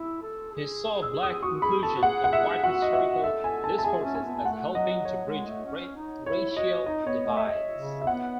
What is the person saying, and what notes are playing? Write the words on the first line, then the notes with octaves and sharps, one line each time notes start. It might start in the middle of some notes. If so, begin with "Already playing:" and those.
He saw black inclusion in white historical discourses as helping to bridge racial divides.
Already playing: E4 E6
A4
G#4
E6
D#6
F#4 C#6
G#4 B5
A4 A5
F#4
G#4 F#5
F#5
E5
F#4 F#5
D#5
E5
A4 E5
G#5
A5
A5
G#4 G#5
C#4
G#5
B3
G#5
A3 F#5
F#3 D#5
F#3 C#5
G#3
A3
C#4
D#4
E4 C#5
E4
F#4 D#5
D#4 D#5
B3 C#5
A3 D#5
E5
D#5
C#3
E5
B3 F#5